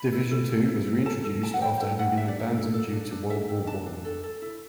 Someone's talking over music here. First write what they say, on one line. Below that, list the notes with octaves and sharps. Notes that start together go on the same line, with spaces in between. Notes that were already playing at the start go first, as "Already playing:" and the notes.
Division Two was reintroduced after having been abandoned due to World War One.
Already playing: B5
E4
A4
A4
E4
E4
A4 A5
A4
E4 A5
F#5
E4 G5
A4 G5
A4 F#5
D4 E5
D5
D4 E5
A4
A4
D4
D4
A4 E5
A4 G5
D4 A5
D4
A4
A4
E4